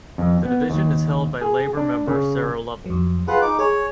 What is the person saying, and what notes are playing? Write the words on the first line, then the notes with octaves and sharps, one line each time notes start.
The division is held by Labor member Sarah Lovell.
F2
B3
D#2
G#4
D4
C#3
F2 F#3
F4 G#4 B4 F#5
D#4 D6
G#4 C#5